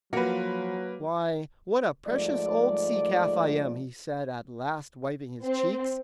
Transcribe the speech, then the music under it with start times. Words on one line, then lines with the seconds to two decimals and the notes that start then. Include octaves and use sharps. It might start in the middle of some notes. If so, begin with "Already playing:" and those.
"Why, what a precious old sea-calf I am!" he said at last, wiping his cheeks.
0.13 F3 F#3 A#3 F#4 B4
2.08 G#2 F3 A3 D5
5.43 C4